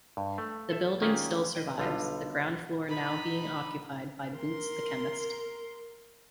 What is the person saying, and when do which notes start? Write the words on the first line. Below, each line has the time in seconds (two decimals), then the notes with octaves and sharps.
The building still survives, the ground floor now being occupied by Boots the Chemist.
0.17 G2
0.38 A3
0.70 A4 C5 E5
1.02 D#3 A#3 C#4 F4 G#4 D5
1.55 B4 D#5 G5
1.78 B1 D3 G3 B3 F4
2.88 D#4 B5
4.36 A#4 C6